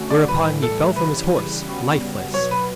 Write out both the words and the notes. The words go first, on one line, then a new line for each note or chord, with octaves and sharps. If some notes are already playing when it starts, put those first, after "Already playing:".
Whereupon he fell from his horse lifeless.
Already playing: D3 A3 C#4 F#4
D5
A2 E3 G3 B4
A4
C#3 E3 G3 B4
C#3 G3 B3 F#4
B2 F#3 B3 C#5
B4